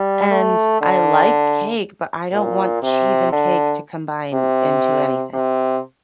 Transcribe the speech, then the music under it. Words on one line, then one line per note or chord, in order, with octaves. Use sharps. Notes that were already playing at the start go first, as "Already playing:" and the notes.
and I like cake, but I don't want cheese and cake to combine into anything.
Already playing: G3
A3
D3
A#2
C3
D3
C3
C3